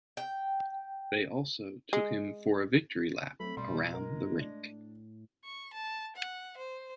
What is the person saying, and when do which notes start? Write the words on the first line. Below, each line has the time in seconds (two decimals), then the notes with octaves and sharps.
They also took him for a victory lap around the rink.
0.17 G5
1.93 G#3
3.40 F#3 A3 C4 B5
3.57 B2 G3 C6
3.94 G#3 A#4
4.34 A2 D4
5.44 C#6
5.74 A5
6.16 F#5
6.57 C5